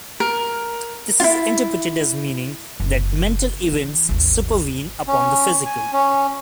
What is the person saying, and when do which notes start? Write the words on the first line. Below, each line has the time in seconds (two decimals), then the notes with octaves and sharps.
This is interpreted as meaning that mental events supervene upon the physical.
0.20 A#4
1.20 E4 F4
2.80 F#1
3.72 E3
4.09 G#1 D#2
5.07 C#4
5.66 G#5
5.93 C#4